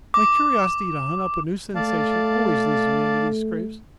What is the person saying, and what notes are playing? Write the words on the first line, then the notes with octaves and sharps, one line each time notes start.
My curiosity to hunt up a new sensation always leads me into these scrapes.
D6
A3 D5 F5 A5